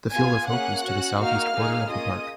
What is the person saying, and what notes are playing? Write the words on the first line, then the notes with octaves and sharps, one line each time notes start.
The Field of Hope is to the south-east quarter of the park.
B3 F4 G#4 G#5 G#6
A#3 C#4 G#4 F#5 F#6
C#4 F#4
A#3 D#4 F#4 F5 F6
A#3 D#4 G#4
A#3 C#4 F4 G#4 D#5 D#6